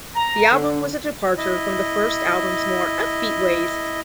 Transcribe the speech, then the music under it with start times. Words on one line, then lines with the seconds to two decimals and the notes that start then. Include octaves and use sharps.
The album was a departure from the first album's more upbeat ways.
0.16 A#5
0.51 D3
1.37 E4 D#5